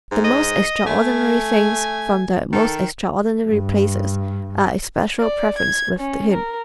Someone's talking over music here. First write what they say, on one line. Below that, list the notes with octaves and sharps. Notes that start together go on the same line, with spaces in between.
The most extraordinary things from the most extraordinary places are especial preferences with him.
G#2
D#5
A3 G#5
D#3 A4
G2
D5
G#6
C#4
A#4